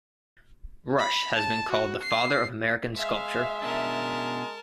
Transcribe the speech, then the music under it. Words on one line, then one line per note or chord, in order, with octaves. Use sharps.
Rush has been called the Father of American Sculpture.
B5
A5
F#4
C7
G#3 E5 F5
B2 C#4 D4 A#4 A5